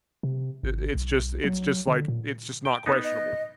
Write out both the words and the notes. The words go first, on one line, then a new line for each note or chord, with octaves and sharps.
i it's just it's just like it's just not questionable.
C3
G#1
B1
F#3
D3
A#2
G5
B3 D#4
D#5